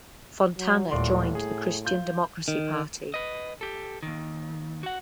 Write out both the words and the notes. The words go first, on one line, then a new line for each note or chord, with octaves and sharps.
Fontana joined the Christian Democracy Party.
F#3
D#1 A2 D5 C6
G#4
F4 G6
D#3
B4 D#5
G4 A4
D#2 D#3
F#4 F#5